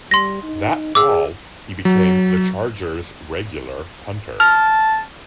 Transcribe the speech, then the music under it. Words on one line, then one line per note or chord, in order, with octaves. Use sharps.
That fall, he became the Chargers' regular punter.
G3 C6 A#6
D#4
G#4 D6 E6
F#3
A5 F6